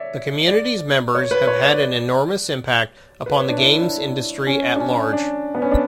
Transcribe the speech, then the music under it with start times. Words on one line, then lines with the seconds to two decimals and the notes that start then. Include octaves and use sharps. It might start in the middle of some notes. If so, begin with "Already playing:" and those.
The community's members have had an enormous impact upon the games industry at large.
Already playing: C#5 D5 E5
0.48 D5
1.15 C#5
1.31 B4
1.47 C#5
1.64 D5
3.26 B4
3.36 C#5
3.49 D4
3.58 E4
3.81 D4
4.47 C#4
4.75 D4
4.80 C#4
5.13 D4
5.55 B3
5.62 C#4
5.71 D4